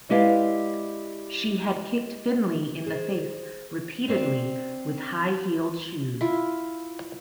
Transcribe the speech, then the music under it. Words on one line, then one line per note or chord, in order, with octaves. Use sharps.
She had kicked Finley in the face repeatedly with high heeled shoes.
G#3 E4 G4 B4 D5 F5
G#4 C5
C4 D4 C5
E4 F4